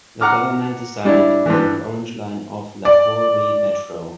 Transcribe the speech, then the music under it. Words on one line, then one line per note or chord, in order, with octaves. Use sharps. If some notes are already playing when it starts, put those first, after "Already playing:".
The Government decided to build the Orange Line of Lahore Metro.
F#5 A#5 D6 F6
G3 D4 E4
G2 E3
D5